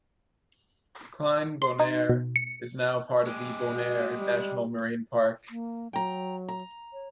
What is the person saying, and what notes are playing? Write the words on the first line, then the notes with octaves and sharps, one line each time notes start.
Klein Bonaire is now part of the Bonaire National Marine Park.
C6
D#4
B2
C#7
G#3 G4
F#4
G3
A#3
F#3 G5 A#5
A#5
C#5